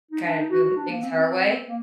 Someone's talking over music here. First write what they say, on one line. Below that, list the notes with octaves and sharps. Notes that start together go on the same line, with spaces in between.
kinda do h things her way?
D#4
D4
D#4
F#4
F#4
D4
A#3
C4
C4
A#3